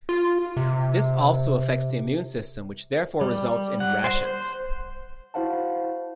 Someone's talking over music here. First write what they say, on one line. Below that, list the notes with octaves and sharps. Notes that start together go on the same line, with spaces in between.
This also affects the immune system which therefore results in rashes.
F4
C3
G3
F#5
C5
C5
E4 F#4 C5 F5 F#5 A5